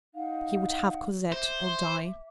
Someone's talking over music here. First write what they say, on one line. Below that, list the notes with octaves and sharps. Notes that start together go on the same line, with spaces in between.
He would have Cosette or die.
D#4 F5 F#5
C5 E5 D6